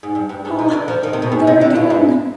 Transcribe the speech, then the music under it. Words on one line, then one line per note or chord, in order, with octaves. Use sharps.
Hah! there again!
G#2
G2
G2
G#2
B2
D3
F3
D#3
C3
B2
G#2
C3
D3
B2
G#2